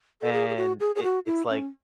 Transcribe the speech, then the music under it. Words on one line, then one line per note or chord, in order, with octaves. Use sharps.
And it it’s like
A4
G#4
G#4
F#4
G#4
G#4
F#4
E4
C#4